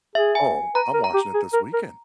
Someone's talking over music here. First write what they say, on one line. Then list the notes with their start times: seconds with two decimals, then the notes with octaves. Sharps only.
Oh, I'm watching it this weekend.
0.15 G#4 E5
0.35 G#5
0.75 B4 A#5
0.94 A#4
1.04 A#5
1.14 G4
1.34 G#4
1.53 A#4
1.73 A#4